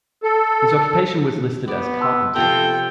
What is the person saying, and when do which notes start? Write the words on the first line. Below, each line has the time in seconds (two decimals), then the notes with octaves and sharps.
His occupation was listed as carpenter.
0.23 A4
1.68 B3 D5
2.01 A5 C6 E6
2.36 C3 F3 C4 A4 G5